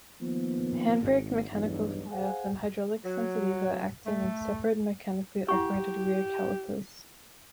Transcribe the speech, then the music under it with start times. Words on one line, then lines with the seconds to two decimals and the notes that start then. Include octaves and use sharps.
Handbrake, mechanical fly-off and hydraulic centre lever acting on separate, mechanically operated rear calipers.
0.21 D#3 F3 A#3 B3
1.00 G#1
1.51 B1 E2 G2
2.12 G#4 C5 F5 F#5 G#5
3.04 F#3
4.06 A3
5.49 E4 G4 F#5 C#6